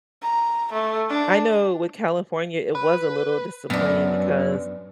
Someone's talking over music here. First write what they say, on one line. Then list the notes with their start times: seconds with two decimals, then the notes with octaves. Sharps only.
I know with California it was a little disappointing because
0.23 A#5
0.73 A3
1.10 D4
2.75 B4
3.70 F#2 B3 D4